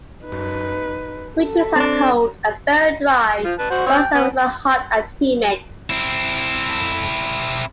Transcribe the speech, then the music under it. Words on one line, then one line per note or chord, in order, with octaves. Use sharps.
Winters are cold and very dry, while summers are hot and humid.
D#4 B4
A4
C4 D4
F3 F4
B4 A5
F#4 C5
C4 C5 C#5
G5
B3
C4 E4